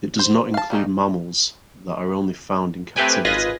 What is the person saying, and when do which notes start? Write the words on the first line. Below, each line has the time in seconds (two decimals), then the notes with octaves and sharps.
It does not include mammals that are only found in captivity.
0.19 C5
0.54 F5 A5
0.70 G3 A#3 C#4 D#4
2.96 A3 C4 G4 B4 G5 G#5
3.25 G#1 F4 B4 D#5 G#5 A#6